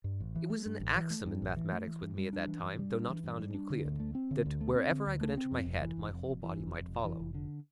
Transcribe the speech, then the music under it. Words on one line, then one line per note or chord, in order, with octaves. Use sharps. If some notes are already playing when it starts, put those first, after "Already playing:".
It was an axiom in mathematics with me at that time, though not found in Euclid, that wherever I could enter my head, my whole body might follow.
G2
A1
E3
A3
G2
A1
E3
A3
G2
A1
E3
A3
E3
G2
G3
D4
E3
G2
G3
D4
E3
G2
G3
D4
D3
D2
A3
C4
D3
D2
A3
C4
D3
D2
A3
C4
F2
F1
E3
F1
F2
F1
E3
F1
F2
F1
E3
F1
D3